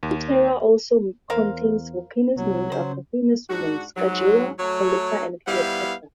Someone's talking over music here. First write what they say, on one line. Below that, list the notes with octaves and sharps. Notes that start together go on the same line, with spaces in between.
Ishtar Terra also contains volcanoes named after famous women: Sacajawea, Colette, and Cleopatra.
D#2
E2 A#4 C5 F5
C2 F#3
C#3 C5
G#2 D4 F#4
G#2 F#3
F#3 A3 C#5
G3 B3 E4 C5 F5